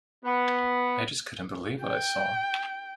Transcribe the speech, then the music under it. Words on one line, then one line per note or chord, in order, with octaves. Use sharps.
I just couldn't believe what I saw.
B3
G5